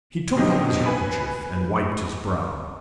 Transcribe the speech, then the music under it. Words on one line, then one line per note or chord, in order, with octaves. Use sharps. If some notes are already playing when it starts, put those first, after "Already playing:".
He took out his handkerchief and wiped his brow.
B2 D3 F#3 C4 D#4 G4
B4 G#5 B5